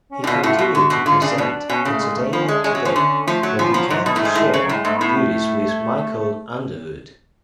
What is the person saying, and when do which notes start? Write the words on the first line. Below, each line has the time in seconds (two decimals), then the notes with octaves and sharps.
He continued to present "Entertainment Today", but began to share duties with Michael Underwood.
0.11 C#4
0.22 A2 D4
0.27 B2 F4
0.43 A2 F#4
0.54 B2 F4
0.64 F#4
0.75 D3
0.90 B2
1.06 D3 F4
1.22 C#3 D4
1.38 B2
1.69 B2 C#4
1.85 C#3
1.92 A3
2.01 G#3
2.17 A3
2.33 F3 B3
2.43 C#4
2.48 G#3
2.54 D4
2.64 G#3 C#4
2.75 F#3
2.85 F3
2.96 D3
3.27 F3 A3
3.43 F#3
3.59 F3 C#4
3.70 F3 B3
3.80 F#3
3.90 G#2 F#3
4.06 B2
4.16 A2
4.22 G#2 G#3
4.35 A2
4.54 C#3
4.64 F#3
4.69 A2 G#3
4.85 G#2 A3
4.96 B3
5.01 A2
5.06 B3
5.17 A3